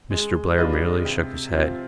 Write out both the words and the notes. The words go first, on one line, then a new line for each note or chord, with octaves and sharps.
Mr. Blair merely shook his head.
G#3
D4 F4 B4 D#5
C3
F3 C4 F4